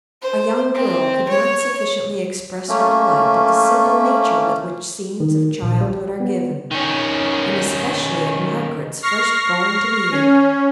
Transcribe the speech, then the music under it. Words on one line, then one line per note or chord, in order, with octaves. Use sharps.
A young girl could not sufficiently express her delight at the simple nature with which scenes of childhood are given, and especially at Margaret's first going to meeting.
C5
C4
C#5
A3 A#3 C#4
D#3
A#1
G3
B3
D#3 C#4
C#6 F6 A#6 C7
C#4